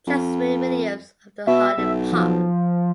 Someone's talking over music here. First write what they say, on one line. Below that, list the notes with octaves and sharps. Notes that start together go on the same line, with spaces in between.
Jazmin Williams of The Honey Pop!
F2
B2 E5
B1
F3